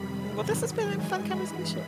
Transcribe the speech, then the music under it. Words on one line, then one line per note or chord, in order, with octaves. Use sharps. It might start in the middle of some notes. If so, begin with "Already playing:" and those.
Mhm, well, this has been a fun conversation,
Already playing: F2 C3 D#3 G3 B5
G#2 D#3 F#3 B5
G2 E3 G#3 G#5
B5